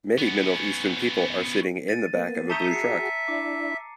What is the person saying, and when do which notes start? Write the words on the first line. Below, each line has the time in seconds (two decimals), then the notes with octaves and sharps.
Many middle eastern people are sitting in the back of a blue truck.
0.18 B3 C#4
1.89 A6 D#7
2.15 A#3 B3
2.50 E5 A5 A#5 C#6 D#6 G6 D#7
2.71 F#4 G#4 C7 C#7
3.28 D4 E4 D6